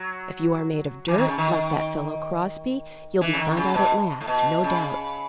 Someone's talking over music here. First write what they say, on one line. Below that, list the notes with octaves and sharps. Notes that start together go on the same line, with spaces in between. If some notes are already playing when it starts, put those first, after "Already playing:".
If you are made of dirt, like that fellow Crosbie, you'll be found out at last, no doubt.
Already playing: F#3
E3
D#3
C#3
D#3
E3
C#3
D#3
D#3
C#3
B2
A2
B2
C#3